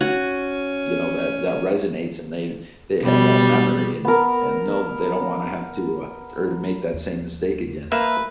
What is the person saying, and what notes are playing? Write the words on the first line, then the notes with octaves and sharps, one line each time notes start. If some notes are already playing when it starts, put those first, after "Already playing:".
you know, that that resonates and they they have that memory and and know they don't wanna have to, uh, or to make that same mistake again.
C#4 F#4
B2 G3
B3 A#4
D#2
A#3 B4 E5